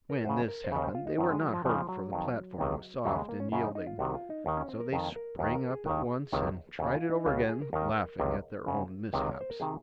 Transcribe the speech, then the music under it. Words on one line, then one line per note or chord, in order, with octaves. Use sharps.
When this happened they were not hurt, for the platform was soft and yielding; so they sprang up at once and tried it over again, laughing at their own mishaps.
A#4
F#2 C#3 C5
A#4
C5
D#2 C#3 C#5
C5
F4
D#4
F#2 D#3 C4
G#3
F#3
F3
F2 C#3 F3
F#3
F2 D#3
C#2 C3 D#3
D#2 C#3 F#3
G#3
A#3
C#4
F#2 C#3 C#4
D#4
D#4
F4
C2 C3 D#3 F#4
F4
D#4
D#2 D#3
C#4
C4
A#4
F2 D#3 A#4
A#4
D#2 D#3 A#4
A#4
G#4
D#2 D#3
C#2 C3 D#3
D#2 C#3 F#4
F4
D#4
C#2 C#3 F4
F#4
G#4
A#4
D#2 D#3 A#4
C#2 C3 D#3
F#2 C#3
C#2 C3 D#3
D#5
C#5
C5
A#4
C3 D#3 G#4